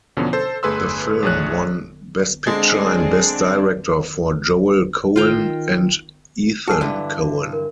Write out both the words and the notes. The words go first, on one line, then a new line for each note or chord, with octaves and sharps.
The film won Best Picture and Best Director for Joel Coen and Ethan Coen.
E2 B2 D3 F3 C#4
A4 C5
G1 A3 G#4 B4 C6 E6
A#1 A3 G#4 C#5 F#6
D3 G#3 C4 D4 G#4
D#3 F4 G5 A#5
F#4 G#4 A5
G2 D3 E3
A#4